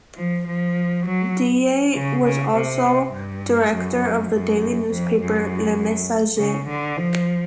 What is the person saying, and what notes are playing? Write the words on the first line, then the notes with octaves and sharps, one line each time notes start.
Ndiaye was also director of the daily newspaper "Le Messager".
F3
F3
F#3
C#3
C#3
C3
G2
F#2
F#2
F2
F#2
C#3
D3
F3